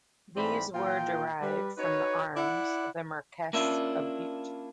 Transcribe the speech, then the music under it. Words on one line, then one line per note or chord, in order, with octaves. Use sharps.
These were derived from the arms of the Marquess of Bute.
G#2 E3 C4 D5 G5 B5
A#2 E3 F4 G5
G3 B4
D#4 F#4 B4 C#5
E4 D5 F#5
A#3 C#4 D4 E4 F4 E5